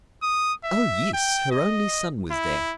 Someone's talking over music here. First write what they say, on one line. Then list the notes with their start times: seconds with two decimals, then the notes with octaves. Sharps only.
Oh! yes: her only son was there.
0.22 D#6
0.64 E5
1.14 G5
1.51 D#5
2.31 E4